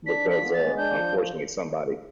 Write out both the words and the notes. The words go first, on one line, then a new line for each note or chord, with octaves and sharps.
because, uh, unfortunately somebody
D4 B6
F3
B6
B3
A6
G#3
D4 G6
F3